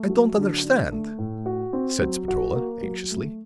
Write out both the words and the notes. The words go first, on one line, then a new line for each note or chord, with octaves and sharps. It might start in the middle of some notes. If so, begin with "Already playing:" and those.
"I don't understand," said Spatola, anxiously.
Already playing: A3
F#3
D3
D4
A3
A2
F#4
C4
F#3
F#4
A#3
F#3
A3